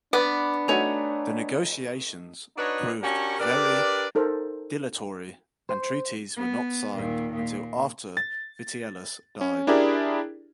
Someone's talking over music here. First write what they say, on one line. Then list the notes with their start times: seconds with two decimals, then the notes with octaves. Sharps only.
The negotiations proved very dilatory and treaties were not signed until after Vitellius died.
0.13 B3 D4 D5 F#5 D6
0.68 A3 D#4 F#4 C#5 G#5 A#5
2.57 D4 D#4 F#4 B4 C#5 D#5
3.02 C#4 D4 F#4 G4 A#4 C#5
3.39 D4 G4 A#4 B4 D5
4.15 D#4 A4 A#4 C5
5.69 C5
6.37 B3
6.95 D#2 A#2
7.33 A#2
8.17 A6
9.41 C#4
9.67 D4 E4 G4 G#4 A#4 D5